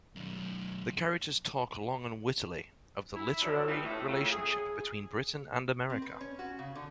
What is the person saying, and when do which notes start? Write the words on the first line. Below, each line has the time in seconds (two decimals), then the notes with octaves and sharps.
The characters talk long and wittily of the literary relationship between Britain and America.
0.16 B1 F#2
3.15 E4
3.41 D2 B2 F#3 B3 D4 E4
3.67 E3 F3 G3 B3 C#4 D#4
3.84 A2 A3
4.08 F2 C#3 A3
4.31 G#4
5.90 C4
6.02 B4
6.21 C#4
6.39 F#4
6.59 C#3
6.75 D3